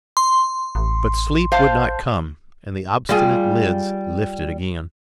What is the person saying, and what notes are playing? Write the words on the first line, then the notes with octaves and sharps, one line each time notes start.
But sleep would not come and the obstinate lids lifted again.
C6
A1
C5 F5 A5
G3 F4 G#4